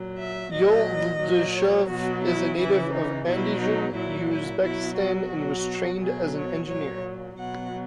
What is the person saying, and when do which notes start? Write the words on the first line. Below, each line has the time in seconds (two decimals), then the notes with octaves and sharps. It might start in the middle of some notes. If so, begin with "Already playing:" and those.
Yo'ldoshev is a native of Andijan, Uzbekistan and was trained as an engineer.
Already playing: A#2 F#3
0.17 E5
0.52 A#2 F#3 D#5
1.21 A#2 F#3
1.54 C#5
1.89 B2 F#3 F#4
2.24 E4
2.57 C#3 E3 E4
2.92 D#4
3.26 B2 F#3 E4
3.60 D#4
3.94 A#2 F#3 E4
4.30 E4
4.63 B2 F#3 E4
4.98 F#4
5.31 B2 F#3
6.01 B2 F#3 G#4
6.35 C#5
6.68 A#2 F#3 C#5
7.37 B2 F#3 F#5